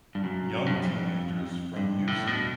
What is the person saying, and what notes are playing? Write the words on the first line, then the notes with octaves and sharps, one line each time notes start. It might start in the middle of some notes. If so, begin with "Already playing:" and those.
young teenagers from using,
G2
F#2
G2
F#2
F2
G2
A2
B2